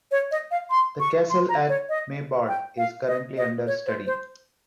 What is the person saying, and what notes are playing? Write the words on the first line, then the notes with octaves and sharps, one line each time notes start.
The castle at Meybod is currently under study.
C#5
D#5
F5
C6
C#6
C6
A#5
C#5
D#5
G5
F5
D#5
D#5
C#5
C5
C5